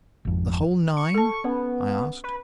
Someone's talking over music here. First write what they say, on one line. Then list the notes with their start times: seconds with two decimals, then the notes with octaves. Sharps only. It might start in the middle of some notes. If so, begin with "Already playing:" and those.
"The whole nine?" I asked.
0.25 G#1 F2
0.97 C#6
1.15 A4 A5
1.44 B3 C#4
2.24 B4